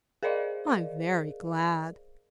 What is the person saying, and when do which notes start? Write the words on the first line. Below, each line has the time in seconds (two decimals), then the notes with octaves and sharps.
I am very glad.
0.23 G#4 A#4 C5 D5 D#5 F5